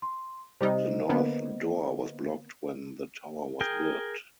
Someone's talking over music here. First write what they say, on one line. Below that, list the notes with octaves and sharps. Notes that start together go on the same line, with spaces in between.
The north door was blocked when the tower was built.
C6
C3 G3 D#4 C5 D#5
D3 A#3 B3
G#4 A#4 G5